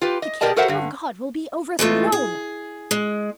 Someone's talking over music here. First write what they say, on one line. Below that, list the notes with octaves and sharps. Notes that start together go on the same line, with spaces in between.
The kingdom of God will be overthrown...
F4 G4 B4
D#5
B2 G4 A#4 D5 D#5 A5
F#4 A4 A#4 C5 E5 F#5
G2 D3
E3 G#3 A3 F4
G#4
G#3